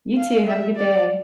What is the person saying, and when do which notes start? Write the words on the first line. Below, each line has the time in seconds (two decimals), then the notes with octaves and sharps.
You too, have a good day.
0.17 F5
0.46 E5
0.76 D5